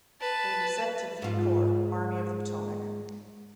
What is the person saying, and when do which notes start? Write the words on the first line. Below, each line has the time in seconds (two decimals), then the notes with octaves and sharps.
They were sent to V Corps, Army of the Potomac.
0.21 B4 A5
1.22 G#2 F4